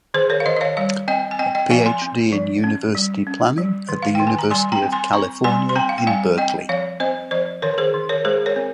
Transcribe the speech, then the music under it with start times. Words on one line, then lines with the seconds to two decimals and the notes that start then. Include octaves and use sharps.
A PhD in University Planning at the University of California, in Berkeley.
0.14 D#3 G#4 C5
0.30 A#4 C#5
0.40 F5
0.46 D#3 C5 D#5
0.56 D#5
0.61 C#5 F5
0.77 G3 C#5 F5
1.08 C4 D#5 G5
1.31 G#5
1.39 C4 D#5 G5
1.55 D#5 G5
1.70 F3 F5 G#5
1.86 G#5 C6
2.02 C4
2.33 F3
2.64 C#4
2.95 G3
3.27 C#4
3.58 G3
3.89 D#3
4.02 F5
4.15 D#3 G5
4.27 G#5
4.39 A#5
4.51 G3 G#5 C6
4.72 G5 A#5
4.82 C4
4.92 G#5 C6
5.13 C4 A#5 C#6
5.44 G3 G#5 C6
5.69 C6
5.76 C4 G5 A#5
5.89 F5
5.98 G5
6.07 G3 F5 G#5
6.38 C4 D#5 G5
6.69 F3 C#5 F5
7.00 C4 C5 D#5
7.31 F3 C5 D#5
7.62 D#3 A#4 C#5
7.78 G#4 C5
7.94 D#3
8.09 A#4 C#5
8.25 G#3 G#4 C5
8.46 A#4 C#5
8.56 C4